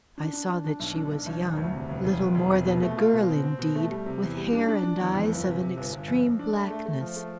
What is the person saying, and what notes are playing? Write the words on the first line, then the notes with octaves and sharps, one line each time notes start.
I saw that she was young, little more than a girl indeed, with hair and eyes of an extreme blackness.
D4
D4
D4
D4
B1
D4
B1
B1
E1
D2
C3
E1
E1
E1
E1
C3
B2
A3
F4
B2
C4
C4
B2
A3
G3
C3
E2
G3
D4
D4
D4
E2
F2
G1
C3
C3
G1
G1
F2
F2
D4
A3
A3
A3
F3
A3